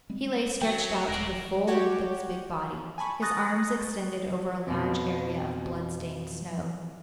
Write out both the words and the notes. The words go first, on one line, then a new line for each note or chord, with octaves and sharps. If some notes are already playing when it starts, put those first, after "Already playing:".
He lay stretched out to the full length of his big body, his arms extended over a large area of blood-stained snow.
G3 G#3 C4
F#3 G5
D#1 G#3 A#4 D5
F#4 G4 C#5
G#5 A5 B5 C#6
A#5 C#6 D#6 F#6 A6 A#6
F2 B2